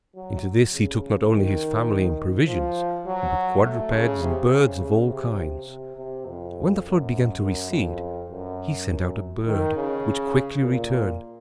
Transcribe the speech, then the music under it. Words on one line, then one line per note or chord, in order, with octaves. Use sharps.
Into this he took not only his family and provisions, but quadrupeds and birds of all kinds. When the flood began to recede, he sent out a bird, which quickly returned.
F#3
C#3
D#3
F3
F#3
A3
C#3
C3
C#3
C#3
C3
C3
C3
F2
F#2
F#2
F2
F#2
D#3
C#3
A#2